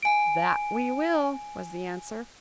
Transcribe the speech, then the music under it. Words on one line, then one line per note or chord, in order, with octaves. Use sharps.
"That we will," was the answer.
G#5 D7